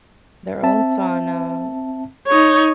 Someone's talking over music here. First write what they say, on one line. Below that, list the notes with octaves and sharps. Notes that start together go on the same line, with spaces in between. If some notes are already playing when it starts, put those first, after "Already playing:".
Their own sauna.
C4 E5 A5
D#4 C#5